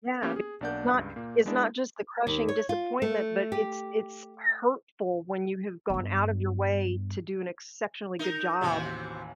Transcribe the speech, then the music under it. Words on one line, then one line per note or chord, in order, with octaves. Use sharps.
Yeah, because it's not it's not just the crushing disappointment, but it's it's hurtful when you have gone out of your way to do an exceptionally good job,
A#3 B3 C#4 G4
G#4
B1 A#3 D4 D5 F#5 G6
C#2 G2
A#2 A#3
G#3 B3 D4 E4
D#2
C#5
F4
A3
G4
G2 B3
D#4 A#4
A1 D#2 C3 E3 C4 F#4